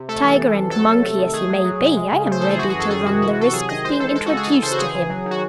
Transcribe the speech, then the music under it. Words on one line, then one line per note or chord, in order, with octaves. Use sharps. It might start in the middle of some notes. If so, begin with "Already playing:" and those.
Tiger and monkey as he may be, I am ready to run the risk of being introduced to him.
Already playing: C3
A3 A4
E3
E3
C3
F#3 A4
C3
A3
D#3
A3 G#4
F#3
F#3
C3
G#3
C#3
A3 C5
E3 A4
G#4
E3 F#4
G#4
F#2
A4
D#3 G#4
C3 F#4
E3 F#4
C3 A4
F#3 G#4
D#3 D#5
G#3 C5
E3 A4
G#3 A4
F#4
C#3
G#4
E3 A4
C#3 C5
F#4
E3 G#4
C#3
F#3
D#3
F#4